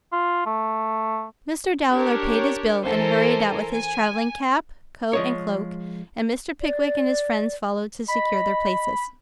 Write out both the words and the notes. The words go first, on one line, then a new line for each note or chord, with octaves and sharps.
Mr. Dowler paid his bill, and hurried out with his travelling cap, coat, and cloak; and Mr. Pickwick and his friends followed to secure their places.
F4
A3
D4 G4 A#4 C#5
E3 A4 A#4 C5 G#5
G#5
F3 G#3 C#5
D5
D#5 B5